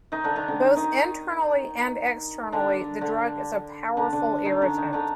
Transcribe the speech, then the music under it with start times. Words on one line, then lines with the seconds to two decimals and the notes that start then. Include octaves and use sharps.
Both internally and externally the drug is a powerful irritant.
0.12 D#3 D#4
0.24 D3 D4
0.36 D#3 D#4
0.48 D3 D4
0.60 D#4
0.76 D#3 D#4
2.52 D3 D4
3.01 D3 D4
3.97 D3 D4
4.13 D3 D4
4.45 D#3 D#4
4.62 D3 D4
4.77 D#3 D#4
4.93 D3 D4